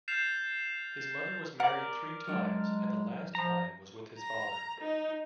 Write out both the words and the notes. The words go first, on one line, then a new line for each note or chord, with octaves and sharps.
His mother was married three times and the last time was with his father.
F6 G6 A6 C7 E7 F7
A#4 D5 F#5
F#3 G#3 D4
F3 A#5
A#5
D#4